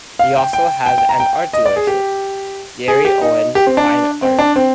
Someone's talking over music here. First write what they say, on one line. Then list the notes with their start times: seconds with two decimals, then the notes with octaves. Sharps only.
He also has an art dealership, "Gary Owen Fine Art".
0.19 F5
0.37 G5
0.53 G5
0.86 G5
0.98 G5
1.09 A#5
1.20 G5
1.53 D#5
1.66 D5
1.76 G#4
1.87 G4
2.88 G#4
3.05 G4
3.22 D#4
3.55 G4
3.67 C4
3.77 D4
4.22 C4
4.39 D4
4.56 C4